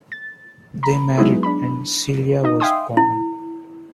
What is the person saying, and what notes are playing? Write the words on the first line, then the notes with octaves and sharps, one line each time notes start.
They married, and Celia was born.
A6
A#5 B5
F#3 G#3 B3 D#4 E4 G#4
D4 B5
D#4 D#5
E5 F5 G5 G#5 C6 D#6
E4